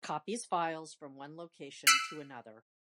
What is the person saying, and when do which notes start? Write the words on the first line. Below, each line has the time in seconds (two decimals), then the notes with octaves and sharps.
Copies files from one location to another.
1.87 E6 F#6 B6 C7 D7